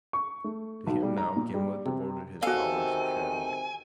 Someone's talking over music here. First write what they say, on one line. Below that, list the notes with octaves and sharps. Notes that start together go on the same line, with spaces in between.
To him, now, Gimblet devoted his powers of shadowing.
C#6
A3
B1
G3
A#5
A#2
G3
C3
C3 D#3 C4 F#4 A4 F5 G#5